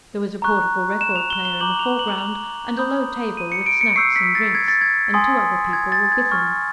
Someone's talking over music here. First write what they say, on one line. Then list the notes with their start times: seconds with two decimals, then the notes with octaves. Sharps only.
There was a portable record player in the foreground and a low table with snacks and drinks, and two other people were with him.
0.42 A#5 C#6 F#6
1.01 E7
1.16 F7
1.30 G7
1.45 G7
1.60 A#5 D6 G6 F#7
1.79 F7
1.99 F#7
2.18 F7
2.77 B5 D#6 G6
3.37 D#7
3.52 C#7
3.66 D7
3.81 C#7
3.96 C#6 E6 G6 C7
4.16 B6
4.35 A6
4.55 G#6
4.68 A6
4.81 G#6
5.14 G#5 C6 D#6
5.73 G#6
5.92 A6
6.12 G#6
6.32 C#6 F6